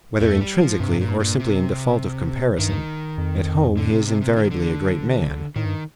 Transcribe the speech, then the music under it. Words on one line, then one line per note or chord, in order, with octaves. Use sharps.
Whether intrinsically, or simply in default of comparison, at home he is invariably a great man.
F2 A3
G3
F3
G2 C3
A#2
A#2
C3
G2 D#3
F2
D3
C3
C3
C3
D3
D#3
D3
A2 D#3
G2